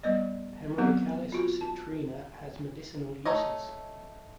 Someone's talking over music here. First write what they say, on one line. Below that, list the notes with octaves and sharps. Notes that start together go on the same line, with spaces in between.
"Hemerocallis citrina" has medicinal uses.
G3 B3 D5 D#5
F#3 B3 C4 G4 A#5
F4 F#4
A5
A3 D#4 C#5 D#5